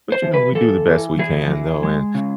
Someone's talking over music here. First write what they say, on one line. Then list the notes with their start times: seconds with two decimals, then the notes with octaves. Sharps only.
But, you know, we do the best we can, though, and
0.12 C5
0.22 E3
0.34 B4
0.55 E3 A4
0.87 E3
1.19 E3 G#4
1.50 E3
1.83 G#3
2.15 C#3